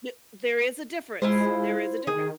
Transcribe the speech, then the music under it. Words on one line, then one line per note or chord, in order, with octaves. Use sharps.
The there is a difference, there is a difference.
G#3 E4 F4 C5
D#3 G#4